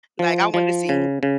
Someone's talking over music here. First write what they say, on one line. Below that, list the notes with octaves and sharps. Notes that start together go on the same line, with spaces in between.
Like, I wanted to see
F3
F3
C#3
C#3